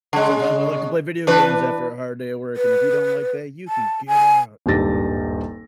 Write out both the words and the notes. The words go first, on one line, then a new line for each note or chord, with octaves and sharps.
"sometimes I like to play video games after a hard day at work, and if you don't like that, you can get out."
C#3 G#3
E3 D4 B4
B4
A5
G#5
D#1 G#1 G2 G4 A6 A#6